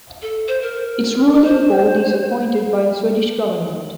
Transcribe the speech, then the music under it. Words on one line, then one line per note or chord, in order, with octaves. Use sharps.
Its ruling board is appointed by the Swedish government.
A4
C5
A#4
A#4
C5